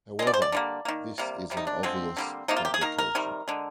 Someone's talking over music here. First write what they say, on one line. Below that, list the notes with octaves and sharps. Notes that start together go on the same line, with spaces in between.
However, this is an obvious fabrication.
D3 G#3 D5 D#5
C5
D5
D3 G3 A#3
D#3 A#3
C3 G3 A#3
C3 G3 A#3
D#4
D4
D3 F3 G#3 C4
D3 G3 A#3
C3 F3 A#3 D#4
F4
G4
G#4
D#3 A#3 A#4
A#4
C3 D#3 G3
D3 G#3